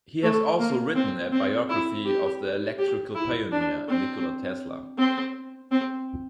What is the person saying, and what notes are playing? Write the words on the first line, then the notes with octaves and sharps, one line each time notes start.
He has also written a biography of the electrical pioneer, Nikola Tesla.
A3
A#3
C4
C4
E4
G4
G4
E4
D4
C4
C4
C4